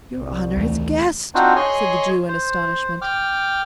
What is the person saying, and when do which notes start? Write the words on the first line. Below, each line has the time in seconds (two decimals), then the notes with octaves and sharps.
"Your Honour has guessed?" said the Jew in astonishment.
0.17 C2
0.57 D#2 E3 A3
1.35 C4 D4 D#4 F4 F#4 C5
1.56 G#4 C#5 D#5 G#5 C6
2.29 C5
3.02 G5 D6 F6